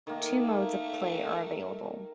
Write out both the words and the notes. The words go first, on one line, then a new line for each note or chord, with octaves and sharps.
Two modes of play are available.
D#3 A3 A#3